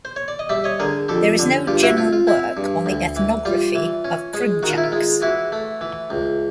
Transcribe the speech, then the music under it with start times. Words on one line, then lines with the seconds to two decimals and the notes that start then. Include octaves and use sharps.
There is no general work on the ethnography of Krymchaks.
0.05 C5
0.16 C#5
0.28 D5
0.39 D#5
0.49 G3 D5 E5
0.64 C#5 D#5
0.80 D3 G#4 A#4
1.09 F2 G4 A4
1.39 D3
1.67 G2 F4 G4
1.83 E4 F#4
1.97 C4 F4
2.13 F4
2.27 C4 E4
2.57 G2
2.86 D2
3.16 E3
3.45 G3 F4
3.75 E3
4.05 C#4
4.34 G#3
4.63 D#3 F#4
4.70 F4
4.78 E4
4.84 F4
4.92 G#3
5.22 E3 E4 F#4
5.52 A3
5.81 E3
6.10 C#2